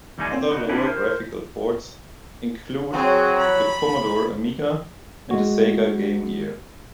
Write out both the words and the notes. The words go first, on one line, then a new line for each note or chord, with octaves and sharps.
Other lower graphical ports include the Commodore Amiga and the Sega Game Gear.
E2 G3 A3 D#4 F4 G#5
C4
B3 D#4 F4 F#4
C4 D4 E4 B4 G#5
A#4 C5
F#3 C4 G#4
B5
G#3 F#4